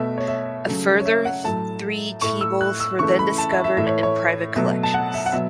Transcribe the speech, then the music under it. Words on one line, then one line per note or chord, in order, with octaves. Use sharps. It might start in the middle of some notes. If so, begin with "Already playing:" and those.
A further three tea bowls were then discovered in private collections.
Already playing: B2 A3 E5
C#5
E5
C#3 F#3 A3
C#5
E5
F#5
A2 F#3 A3 A5
A2 A3 C#6
E6
F#6
E6
C#3 E3 A3 C#6
B5
A5
E5
E5
A2 E3 A3 E5
C#5
C#5
B2 F#3 A3 E5
A5
F#5
E5
F#5
B2 F#3 E5